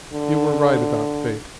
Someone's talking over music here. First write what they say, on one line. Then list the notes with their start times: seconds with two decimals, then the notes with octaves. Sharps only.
You were right about Fate.
0.13 D3